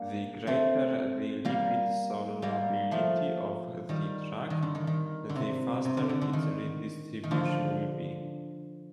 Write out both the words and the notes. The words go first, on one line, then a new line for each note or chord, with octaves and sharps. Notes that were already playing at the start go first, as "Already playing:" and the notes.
The greater the lipid solubility of the drug, the faster its redistribution will be.
Already playing: A#3 D4
A3 C4
G3 A#3
G3 A#3
F3 A3
D#3 G3
D#3
D3
D#3
D#3
D3
C3
C3
D3
D3
D3
D#3
D#3
D3 F3